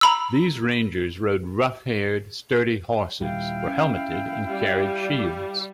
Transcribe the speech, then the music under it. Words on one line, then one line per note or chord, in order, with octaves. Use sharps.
These Rangers rode rough-haired, sturdy horses, were helmeted and carried shields.
A#5 B5 E6
D#1 G3 E4 F5 G5
C#4
G3